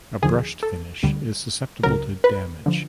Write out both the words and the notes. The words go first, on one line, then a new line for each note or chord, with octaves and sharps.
A brushed finish is susceptible to damage.
D#2 D3 F3 G#4
A4
D2 D3 G3
C#2 C#3 F#3 A#4
B4
D3 F3